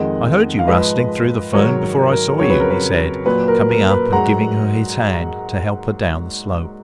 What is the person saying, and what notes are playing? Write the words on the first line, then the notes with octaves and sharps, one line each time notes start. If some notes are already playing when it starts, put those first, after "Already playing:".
"I heard you rustling through the fern before I saw you," he said, coming up and giving her his hand to help her down the slope.
Already playing: F2 D#3 G#3 D#5 F#5
F5
G#2 F3 G#3 B4 D#5
G#2 D#3 F#3 A#4 C#5
A#4
F2 C#3 F#3 C#5
B4
A#4
B4
A#2 F#3 B4
A#4
A#4
B4
G#2 F#3 F#5 A#5